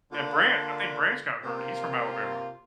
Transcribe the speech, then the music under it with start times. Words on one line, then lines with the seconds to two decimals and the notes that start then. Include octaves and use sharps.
And Bran I think Branch got hurt. He's from Alabama.
0.11 D3 A#3 D4 F4
1.43 C3 A#3 F4